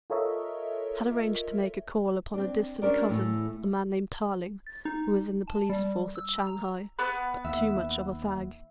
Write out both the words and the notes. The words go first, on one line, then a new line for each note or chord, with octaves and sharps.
Had arranged to make a call upon a distant cousin--a man named Tarling--who is in the police force at Shanghai, but too much of a fag.
F4 A4 A#4 C#5 D#5 E5
C4 D4
C#4 D4 G4 A#4 C5 D5
E2 A2 A3
A6
D#4
A5
G3
E6
A#5
B3 B4
D#2 E5